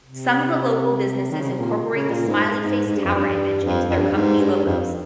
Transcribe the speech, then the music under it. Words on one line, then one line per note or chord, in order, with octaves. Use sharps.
Some of the local businesses incorporate the smiley-face tower image into their company logos.
C3
D#3
C#3
C3
A#2
C#3
A#2
G#2
G#2
G#2
G#2
G2
F2
G2
F2
F2
G2
G#2
G2
F2